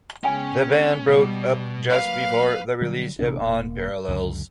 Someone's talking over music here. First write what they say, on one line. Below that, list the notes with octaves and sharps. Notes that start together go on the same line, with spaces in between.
The band broke up just before the release of On Parallels.
C#3 G#3 B3 C#4 D#5 G5 G#5
B2 G3
F#3 A#3 B4 F5
D3 F#3 G3
A1 C3 B3 D4
E1 A#3
C#2 F#2 D3